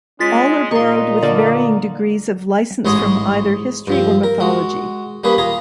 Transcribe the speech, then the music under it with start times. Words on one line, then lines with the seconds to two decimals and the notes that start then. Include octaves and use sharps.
All are borrowed-with varying degrees of licence-from either history or mythology.
0.20 G#3 C#4 F4 A6 B6
0.71 A#2 D#4 C6 C#6
1.23 D3 A#3 D5
2.85 A1 G#2 G#3 G#4 C#5 D#5
3.87 G2 F3 C4
4.23 A#4
4.40 G#3 F#4
5.24 G3 A#3 C#4 G#4 B4
5.38 F4 G#4 A#5